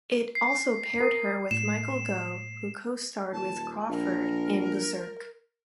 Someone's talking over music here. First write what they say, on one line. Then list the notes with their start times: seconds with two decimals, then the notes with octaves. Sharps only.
It also paired her with Michael Gough, who costarred with Crawford in Berserk!
0.35 C7
1.00 A#4 D#6
1.51 A2 E7
3.32 D#1 A5
3.90 A#1 A#4